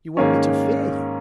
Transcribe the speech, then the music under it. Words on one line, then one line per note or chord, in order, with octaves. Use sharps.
"You want me to fear you?"
G#2 D#3 A#3 C#4